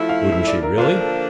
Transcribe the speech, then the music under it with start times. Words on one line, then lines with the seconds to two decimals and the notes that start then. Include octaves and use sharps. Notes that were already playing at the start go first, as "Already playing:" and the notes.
"Wouldn't she really?"
Already playing: F3 A3 E4
0.09 F5
0.32 E5
0.47 D5
0.63 A#4
0.78 D3 F3 A#3 D4 F4
1.01 A4